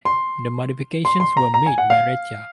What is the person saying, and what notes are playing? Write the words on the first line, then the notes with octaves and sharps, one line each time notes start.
The modifications were made by Retia.
C6
C6
C6
A#5
A#5
G#5
F#5
F5